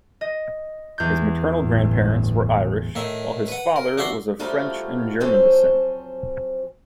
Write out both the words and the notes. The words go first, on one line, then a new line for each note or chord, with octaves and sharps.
His maternal grandparents were Irish, while his father was of French and German descent.
D#5
E2 G6
G1 A2
A2 D#3 E5
B4 F#5
A#4
D4 F#4 E5 B5 C6
F3 G3 A3 D#4 F4 F#4
F3 F#3 C4 C#4 A4 C5